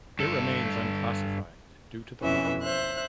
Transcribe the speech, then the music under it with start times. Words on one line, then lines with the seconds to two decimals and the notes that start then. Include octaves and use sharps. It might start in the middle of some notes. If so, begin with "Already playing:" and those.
It remains unclassified due to the lack of data.
0.19 G2 A4
2.22 F2 B2 E3 C#4 E5
2.62 C5 E5 F#6